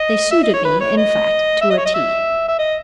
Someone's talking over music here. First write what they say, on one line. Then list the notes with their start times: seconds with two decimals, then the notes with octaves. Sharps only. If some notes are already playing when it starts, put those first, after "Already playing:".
They suited me, in fact, to a T.
Already playing: D#5
0.31 E5
0.43 D#5
0.53 C#5
0.65 B4
0.80 C#5
0.97 D#5
1.61 E5
1.70 D#5
1.78 C#5
1.85 D#5
1.94 E5
2.48 E5
2.59 D#5